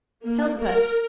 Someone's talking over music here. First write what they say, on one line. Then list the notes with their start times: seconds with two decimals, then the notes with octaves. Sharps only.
Help us.
0.23 A#3
0.59 A#4